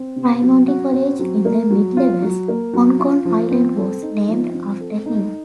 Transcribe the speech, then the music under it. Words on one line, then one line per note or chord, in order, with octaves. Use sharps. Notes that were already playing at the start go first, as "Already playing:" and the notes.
Raimondi College in the Mid-levels, Hong Kong Island was named after him.
Already playing: C4
C3
F#3
F#4
C4
F#3
A#3
F#3
F4
F#3
A#3
F#3
F4
F3
C4
A4
D#4
F3
C4
A4
D#4